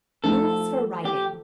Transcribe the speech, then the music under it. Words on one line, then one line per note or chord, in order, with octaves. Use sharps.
Rules for Riding.
F3 A3 D#4 A4
G4